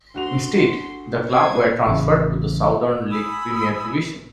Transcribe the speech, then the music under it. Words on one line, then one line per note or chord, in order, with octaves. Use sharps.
Instead, the club were transferred to the Southern League Premier Division.
D2 F#4 C6 F7
C4 B4 C5 G#6
A1 C#3
G#5 B5 D#6 E6